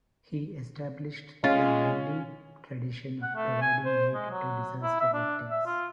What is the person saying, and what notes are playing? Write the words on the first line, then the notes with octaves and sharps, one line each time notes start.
He established the Lilly tradition of providing aid to disaster victims.
G#3 C#4 F4
F#5
A3
G#5
C5
G#3
F#3
E4
E5
D4
E5
F4